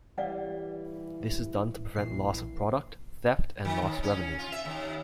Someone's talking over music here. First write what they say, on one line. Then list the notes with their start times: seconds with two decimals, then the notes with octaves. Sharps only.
This is done to prevent loss of product, theft and lost revenue.
0.18 E3 G3 D5 F5 F#5
1.96 A#1 E3 C7
3.65 D#3
3.82 D#2
4.03 C#4
4.39 F4
4.52 E5
4.65 D#2